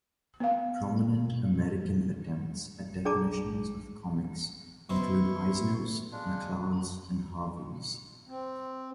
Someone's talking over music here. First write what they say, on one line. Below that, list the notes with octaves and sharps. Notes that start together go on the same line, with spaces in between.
Prominent American attempts at definitions of comics include Eisner's, McCloud's, and Harvey's.
B3 F5
D4 G#4 D5 A5 A#5 D6
B2 C4 D#4 E4 C6 C#6
G#3 D4 F4
C4